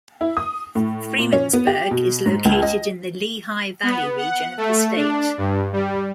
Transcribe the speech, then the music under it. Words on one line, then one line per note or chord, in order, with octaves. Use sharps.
Freemansburg is located in the Lehigh Valley region of the state.
E4
D#6
A2
A#2
C#4
B3
G4
B2
G#2
C#2
D#5
B3
F#5
A3
D4
G2
G3